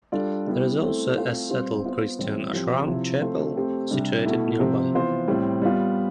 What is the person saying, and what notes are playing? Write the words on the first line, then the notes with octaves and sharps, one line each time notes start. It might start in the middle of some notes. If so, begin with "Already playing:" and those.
There is also a Sattal Christian Ashram chapel situated nearby.
G3 D4 F4 A4 D5
G3 B3 E4
A3 C4 E4 A4
A3 C4 F4 C5
G3 C4 F4 C5
B3 F4 C5
A2 E3 G3 C4
F3 C4 G4
C3 F3 C4 E4
A3 C4 F4 C5
A3 C4 G4
C3 G3 D4
B2 A3 E4
C3 F3 C4
E3 B3 F4 C5
A2 G3 C4
G3 B3 F4